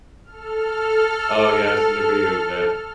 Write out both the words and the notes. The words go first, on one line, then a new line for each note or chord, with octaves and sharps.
Oh, yeah, I've seen the video of that.
A4 F6